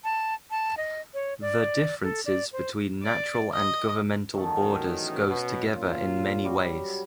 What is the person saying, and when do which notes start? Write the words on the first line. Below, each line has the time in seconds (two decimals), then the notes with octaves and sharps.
The differences between natural and governmental borders goes together in many ways.
0.04 A5
0.51 A5
0.77 D#5
1.14 C#5
1.41 D5
2.03 A4
2.25 D5
2.53 C5
3.03 D5
3.53 D#5
4.35 A1 E2 D#3 F#3 C#4 A4
5.27 B2
5.75 A#2 F4
6.44 F#3 G3 F#4